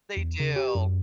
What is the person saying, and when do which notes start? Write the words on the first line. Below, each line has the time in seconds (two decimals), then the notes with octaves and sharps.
they do.
0.17 E2
0.40 C#3
0.56 G4
0.75 F#2